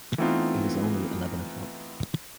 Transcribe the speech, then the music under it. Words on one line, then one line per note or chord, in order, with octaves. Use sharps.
It was only eleven o’clock.
E3 A3 B3 C4 D#4 F4